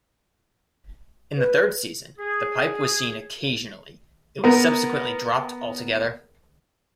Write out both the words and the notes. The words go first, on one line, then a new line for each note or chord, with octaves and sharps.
In the third season, the pipe was seen occasionally; it was subsequently dropped altogether.
B4
G#4
B3 A#4